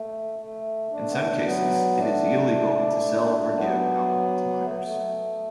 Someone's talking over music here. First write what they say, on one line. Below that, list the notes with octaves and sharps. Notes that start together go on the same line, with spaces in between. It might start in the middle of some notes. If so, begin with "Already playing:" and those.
In some cases, it is illegal to sell or give alcohol to minors.
Already playing: A3
A3
A3 D4
B3
A3 D4
A3
F#3 B3
A3 D4
F#3 B3
A3
F#3
A3